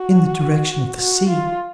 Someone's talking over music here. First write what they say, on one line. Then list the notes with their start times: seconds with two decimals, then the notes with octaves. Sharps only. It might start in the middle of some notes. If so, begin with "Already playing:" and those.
"In the direction of the sea."
Already playing: F#4
0.98 F#4
1.29 F4